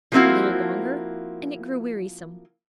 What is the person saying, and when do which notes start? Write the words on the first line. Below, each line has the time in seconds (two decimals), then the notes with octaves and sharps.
A little longer, and it grew wearisome.
0.12 F3 F#3 A#3 C4 E4 F#4